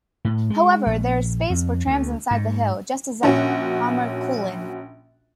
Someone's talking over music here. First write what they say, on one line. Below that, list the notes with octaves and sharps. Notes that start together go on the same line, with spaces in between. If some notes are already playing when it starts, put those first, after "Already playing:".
However, there is space for trams inside the hill, just as at Hammarkullen.
A2
G#3
A#1
F2
D2
G#2
A#1 C#4 F#4